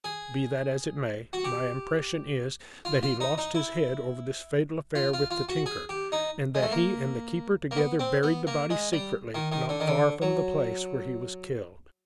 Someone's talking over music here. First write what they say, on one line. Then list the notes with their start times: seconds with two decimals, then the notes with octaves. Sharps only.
Be that as it may, my impression is that he lost his head over this fatal affair with the tinker, and that he and the keeper together buried the body secretly, not far from the place where he was killed.
0.04 G#4
1.33 F#4
1.45 G4
2.85 F4
3.03 F4
3.20 D#4
3.38 D#4
3.55 E4
4.95 F4
5.13 F4
5.31 F4
5.49 F#4
5.66 G#4
5.89 G4
6.12 D#4
6.55 G#3
6.62 A3
6.72 A#3
7.71 A#3
7.77 B3
8.00 C4
8.23 B3
8.47 A#3
8.70 G#3
8.93 G3
9.35 D#3
9.52 D#3
9.69 D3
9.80 D#3
9.88 D3
10.22 F#3